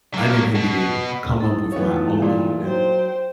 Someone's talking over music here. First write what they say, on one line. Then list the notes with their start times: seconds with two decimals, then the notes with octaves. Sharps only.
uninhibited, come up with my own,
0.14 F#3 A#3
0.55 B2
1.40 D#4 E4 A4
1.72 E3 A3 B3 F4 C#5
2.22 A#2
2.63 F#3 C5 G5